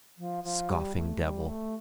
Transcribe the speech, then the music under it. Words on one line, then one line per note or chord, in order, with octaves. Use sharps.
Scoffing devil!
F3
F3
G3
A3
G3
A3